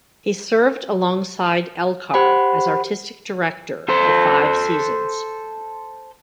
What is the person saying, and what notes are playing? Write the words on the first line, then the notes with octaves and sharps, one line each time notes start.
He served alongside Elcar as artistic director for five seasons.
G4 C5 F#5 B5
A4 C5